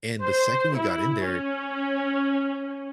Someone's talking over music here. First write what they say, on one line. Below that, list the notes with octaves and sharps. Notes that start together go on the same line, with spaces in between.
And the second we got in there,
C5
E4
C#4